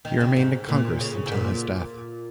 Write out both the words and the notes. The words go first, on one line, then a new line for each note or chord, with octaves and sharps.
He remained in Congress until his death.
D#3
C#3
G#2
A#2
C#3
G#2
A#2